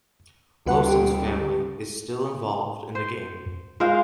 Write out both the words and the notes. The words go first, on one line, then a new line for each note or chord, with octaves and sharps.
Lowson's family is still involved in the game.
D2 C#3 G3 F#4 B4 F#5
G4
C5
G#3 F4 A#4 C5 F5